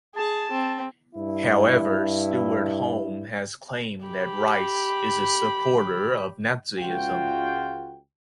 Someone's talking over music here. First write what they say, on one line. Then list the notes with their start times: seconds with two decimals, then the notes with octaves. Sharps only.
However Stewart Home has claimed that Rice is a supporter of Nazism.
0.16 G#4 A5
0.52 C4
1.15 G2 E4
4.06 G4 B5
6.79 C#2 F4 F#4 G5